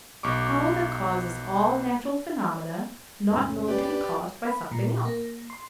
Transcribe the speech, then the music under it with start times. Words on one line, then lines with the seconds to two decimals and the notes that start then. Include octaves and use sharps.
The power that causes all natural phenomena not known to be caused by something else.
0.23 B1 C#6 D6
3.31 E2 G#2 C3 C#4
3.68 G4 B4 D5
4.47 B5
4.72 A#2
5.05 A#3
5.50 C6